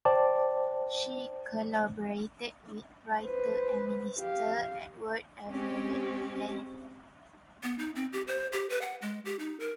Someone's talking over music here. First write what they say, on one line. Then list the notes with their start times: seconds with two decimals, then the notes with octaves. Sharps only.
She collaborated with writer and minister Edward Everett Hale.
0.05 C5 D5 G5 A5 D6
3.21 B4 C5
4.18 G4 F5
5.51 G#3 C4 C#4 G4
7.63 B3
7.79 D#4
7.95 C4
8.13 G4
8.27 C5
8.52 G4
8.70 B4
8.81 F#5
9.02 G#3
9.25 G4
9.39 D#4
9.60 A#4